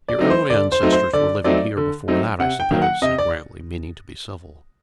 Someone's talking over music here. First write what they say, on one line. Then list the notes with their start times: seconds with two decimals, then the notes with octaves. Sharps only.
"Your own ancestors were living here before that, I suppose?" said Grantly, meaning to be civil.
0.08 D5
0.19 F#3 A3 C4 D#4
0.30 C5
0.50 D3 D5
0.72 C5
0.83 F#3 A3 C4 D#4
0.92 C5
1.13 D3 D5
1.44 F#3 A3 C4 D#4 D5
1.77 D3
2.08 F#3 A3 C4 D#4
2.39 C3 F#5
2.60 G5
2.71 D#3 F#3 A#3
2.82 F#5
3.02 C3 D#5
3.18 D5